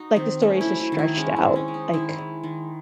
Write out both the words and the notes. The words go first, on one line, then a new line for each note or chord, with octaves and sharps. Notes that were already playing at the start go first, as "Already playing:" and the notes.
like, the story is just stretched out, like,
Already playing: D#4 F#4
D#3 C4
A3 C#4
E4
F#3
E4
D#3
E4
G#3 C#4
C4
D#3
C#4
G#3
D#4
D#3 E4
G#3
D#3